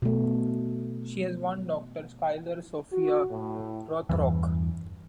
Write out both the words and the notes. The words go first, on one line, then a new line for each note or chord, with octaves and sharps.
She has one daughter Skylar Sophia Rothrock.
B2 A3
F#4
A2
E2 G2 E3